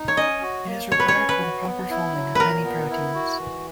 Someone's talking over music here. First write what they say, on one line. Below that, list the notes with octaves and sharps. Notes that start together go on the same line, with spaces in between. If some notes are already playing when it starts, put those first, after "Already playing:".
It is required for the proper folding of many proteins.
Already playing: D#4
C#5
C#4 D#5
F#4
A#3
B2 C#5
B4
C#5
C#4
B4
F#4
B3
E4
F#3
A#2 A#4 B4
B3
E4
F#4
E3